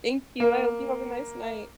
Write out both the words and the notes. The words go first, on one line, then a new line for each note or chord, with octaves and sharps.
Thank you, I hope you have a nice night.
A#3